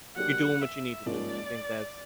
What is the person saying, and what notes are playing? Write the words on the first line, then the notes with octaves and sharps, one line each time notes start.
you're doing what you need to do," and I think that's
F#3 A#3 D4 G4 F#5
E5
G#2 F3 A#3 C#4 D5